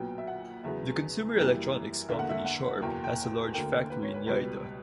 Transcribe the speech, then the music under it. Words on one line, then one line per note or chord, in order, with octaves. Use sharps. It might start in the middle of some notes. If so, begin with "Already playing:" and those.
The consumer electronics company Sharp has a large factory in Yaita.
Already playing: B1 A#2 F#3 B3 G5
E5
F#5
E2 C#3 F#3 B3 E5
F#2 E3 G3 A#3
E2 D3 A#3 E5
F#5
E5
F#5
F#1 E2 B2 A#3 G5
G5
D2 D3 A#3 G5
B4
C#5
B4
C#2 B2 G3 B4